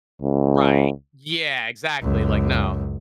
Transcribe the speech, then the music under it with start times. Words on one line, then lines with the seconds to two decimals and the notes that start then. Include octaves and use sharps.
right, yeah, exactly, like, "No."
0.22 C#2
2.02 C#2 F#2